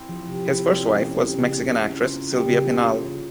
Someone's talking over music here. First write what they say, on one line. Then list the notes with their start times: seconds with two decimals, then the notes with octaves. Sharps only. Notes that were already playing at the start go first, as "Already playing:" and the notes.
His first wife was Mexican actress Silvia Pinal.
Already playing: C4 E4
0.08 F3
0.27 C3
0.45 E4
0.64 C4
0.82 C#4
1.01 A#3
1.20 G3
1.39 C#3
1.57 C#4
1.76 A#3
1.94 F4
2.13 A#3
2.31 G3
2.50 C#3
2.69 F4
2.87 A#3
3.05 C#3